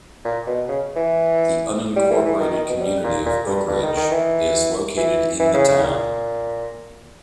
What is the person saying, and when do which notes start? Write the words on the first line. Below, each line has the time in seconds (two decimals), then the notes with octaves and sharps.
The unincorporated community of Oakridge is located in the town.
0.25 A#2
0.47 B2
0.69 C#3
0.96 E3
1.96 G3
2.11 E3
2.25 E3
2.40 D#3
2.54 D#3
2.69 B2
2.82 G3
3.04 A#2
3.26 A#2
3.47 G2
3.68 G2
3.83 D#3
3.97 D#3
4.12 E3
4.97 E3
5.40 E3
5.54 C#3
5.68 C#3
5.83 A#2